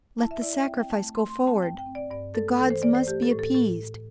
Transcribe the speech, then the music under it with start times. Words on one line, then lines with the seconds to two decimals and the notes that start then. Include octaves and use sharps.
Let the sacrifice go forward; the gods must be appeased.
0.19 E4 A5
0.31 E5
0.42 E4 D5
0.55 E5
0.66 C4 G5
0.80 G5
0.90 A3 A5
1.14 A3 C6
1.30 C6
1.39 C4
1.47 A5
1.62 G2 G5
1.79 G5
1.86 C4
1.95 D5
2.11 G2 D5
2.34 A3 A4
2.59 E3 A4
2.70 C5
2.83 E3 D5
2.95 C5
3.07 A3 G4
3.23 A4
3.31 A2
3.39 A4
3.55 A2 A4